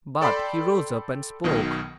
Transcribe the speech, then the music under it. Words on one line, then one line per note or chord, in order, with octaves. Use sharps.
But he rose up and spoke.
A4 D5 G5 B5 C6
B1 B2 D#3